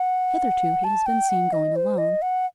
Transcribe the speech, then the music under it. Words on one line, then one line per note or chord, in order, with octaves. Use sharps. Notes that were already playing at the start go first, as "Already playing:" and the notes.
Hitherto he has been seen going alone.
Already playing: F#5
A5
G5
F#5
D#5
C5
D#5
F#5